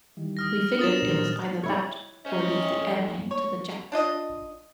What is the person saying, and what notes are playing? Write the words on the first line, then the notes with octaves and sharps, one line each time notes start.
We figured it was either that or leave the airplane to the Japs.
D#3 E3 G3
D#6 F6 A#6
B3 D4 F4 A#4 C5 D#6 A6 E7
A#2 D#3 E3
E4 C#5
C#4 C5 D#5 E5
F2 A3
C#5
D4 F4 D#5